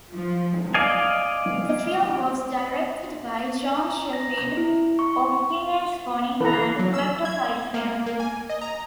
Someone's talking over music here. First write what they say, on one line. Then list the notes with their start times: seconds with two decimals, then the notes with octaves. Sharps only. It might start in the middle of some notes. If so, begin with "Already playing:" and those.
The film was directed by John Shepphird of Teenage Bonnie and Klepto Clyde fame.
0.12 F3
0.74 D5 D#5 F5 G#5
3.77 A#5
4.13 A#6
4.57 E4
4.99 C#6
6.41 E3 A4 B4 A#5
6.79 F#3
6.93 E6
7.25 G#6
7.74 A#3
8.06 A#3
8.20 G#5
8.49 D#5
8.61 A#5